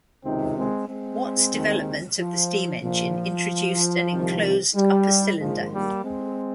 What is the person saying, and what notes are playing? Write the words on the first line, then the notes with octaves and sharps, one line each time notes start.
Watt's development of the steam engine introduced an enclosed upper cylinder.
C#2 C3 D#3 C4 D#4
G#3 C4
G#3 C4
D#2 D#3
F3
A#1 A#2 F3
C2 C3 D#3
G3
A#1 G#2 D#3 F3 G#3
G3 A#3
G#3 C4